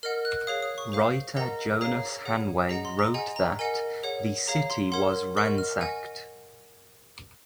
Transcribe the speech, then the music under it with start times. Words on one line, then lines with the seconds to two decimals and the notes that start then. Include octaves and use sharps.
Writer Jonas Hanway wrote that "the city was ransacked".
0.03 A#4 D#5 F#5 F6
0.25 F#6
0.47 G#4 C#5 F5 D#6
0.62 D#6
0.78 C#6
0.92 G#4 C5 F5
1.36 A#4 D#5 F#5 A#5
1.81 G#4 C#5 F5 A#5
2.25 G#4 C#5 F#5
2.69 G#4 D#5 F#5 A#5
2.85 C6
2.99 A#5
3.14 G#4 D#5 F#5 G#5
3.36 A#5
3.59 A#4 D#5 F#5 G#5
4.03 G#4 C#5 F#5
4.48 G#4 C#5 F5 A#5
4.70 C6
4.92 A#4 C#5 F#5 C6
5.37 A#4 D#5 F#5 C#6
5.58 F6
5.81 D#5 F#5 G#5